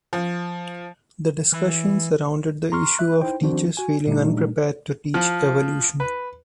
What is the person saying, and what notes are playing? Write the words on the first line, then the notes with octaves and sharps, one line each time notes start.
The discussion surrounded the issue of teachers feeling unprepared to teach evolution.
F3
E3
A#5 C6 C#6 F6
E5 F#6
D#4 E4 C5 G5
D#3 F3 C4 D4 F#4 C5
F#4 G#5
A#2 G3 A3 D4 D#4
F3
B4